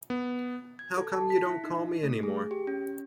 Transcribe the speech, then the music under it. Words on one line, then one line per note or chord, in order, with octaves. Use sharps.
How Come U Don't Call Me Anymore?
B3
G#6
A4
A5
B6
E4
D#4
A3
G#4
G4
C#4